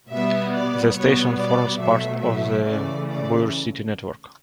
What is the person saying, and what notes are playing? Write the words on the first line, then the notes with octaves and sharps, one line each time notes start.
The station forms part of the Bauer City network.
B2 G3 B3 E5
D5
B2 G3 B3 C#5
D5
B2 F#3 A3 E5
E5
C#3 E3 A3 D5
D5